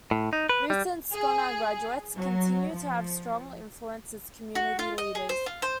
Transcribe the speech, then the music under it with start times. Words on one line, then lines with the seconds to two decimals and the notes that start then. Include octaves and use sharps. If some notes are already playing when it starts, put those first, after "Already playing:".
Recent Scona graduates continue to have strong influence as community leaders.
0.11 A2
0.33 D#4
0.49 B4
0.70 G3
1.12 G#4
2.15 F#3
2.74 F3
4.55 F#4
4.79 F4
4.98 D#5
5.15 G#4
5.29 C5
5.46 F4
5.62 C5